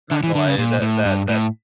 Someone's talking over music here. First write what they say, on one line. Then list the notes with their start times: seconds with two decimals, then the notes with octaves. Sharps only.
Not gonna lie, that that that
0.11 D3
0.23 E3
0.35 D3
0.47 C#3
0.58 A#2
0.82 A2
1.05 G2
1.29 A2